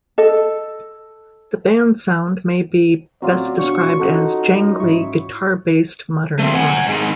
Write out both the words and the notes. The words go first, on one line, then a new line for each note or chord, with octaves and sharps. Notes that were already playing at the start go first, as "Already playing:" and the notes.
The band's sound may be best described as jangly guitar-based modern rock.
A4 D#5
A1 F#3 C4 F4 D5
B2 D4 C#5 C#6
C#4 D#4 A4 F#5
G#2 E4 C#6
A3 C4
F#5 G#5
G#2 D#3